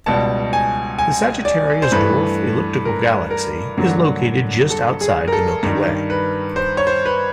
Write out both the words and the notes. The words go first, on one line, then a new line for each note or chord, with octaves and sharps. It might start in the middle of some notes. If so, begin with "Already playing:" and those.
The Sagittarius Dwarf Elliptical Galaxy is located just outside the Milky Way.
C#2 B2 G3 A5
G#5
G#5
D5
C5
G2 E3 A3 B4
A#4
A#4
G2 D3 F#3 A#3
A4
G#4
A#4
A4
G2 D#3 G3 A#4
B4
C5
C#5
C5
B4